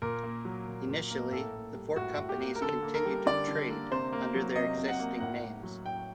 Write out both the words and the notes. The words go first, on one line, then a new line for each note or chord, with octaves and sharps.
Initially, the four companies continued to trade under their existing names.
A#2 A#4
A#3
F#3
A#2
A#2
A#3
A2 A4
A#3
G3
A2 F#4
A2
G4
A#3
A#4
D3 A4
A#3
A#4
G3
D3 D5
D3
A#3
C3 C5
A#3
F#3
C3 D#5
C3
F#5
A#3
A2 F#5
A#3
F#3
A2 G5